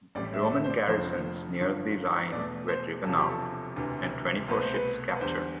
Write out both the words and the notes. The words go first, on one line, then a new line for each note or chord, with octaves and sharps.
The Roman garrisons near the Rhine were driven out, and twenty-four ships captured.
A1 A2 G3 D5
E5
D5
E5
C5
D5
F1 F2 D3 F3 A3 C5
G1 G2 D3 F3
E2 B2 A3 D5
C5
E1 E2 C3 F3 A4
G4
A4
E1 D2 C3 E3
C2 B2 A3 B4
C5
B4
B4
E2 D3 G3 C5